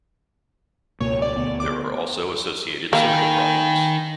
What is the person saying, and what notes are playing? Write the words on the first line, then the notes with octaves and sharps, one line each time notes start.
There are also associated social problems.
C#2 B2 A#3 C#5
D5
D2 B3
D6
D#3 A#3 G5 G#5 B5